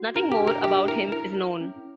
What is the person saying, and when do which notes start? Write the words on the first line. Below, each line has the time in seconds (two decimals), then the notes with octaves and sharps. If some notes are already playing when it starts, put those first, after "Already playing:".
Nothing more about him is known.
Already playing: F#4
0.15 D4 A#4
0.32 G4
0.40 D4
0.47 A#4
0.64 G4 E5
0.88 E4 A#4
1.12 E4 A#4
1.37 E4
1.61 C#4